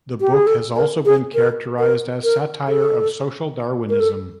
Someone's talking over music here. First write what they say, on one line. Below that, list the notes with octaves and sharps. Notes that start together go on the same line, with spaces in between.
The book has also been characterized as satire of Social Darwinism.
G4
G#4
A4
A#4
G#4
A#4
A#4
A#4
A4
A#4
A4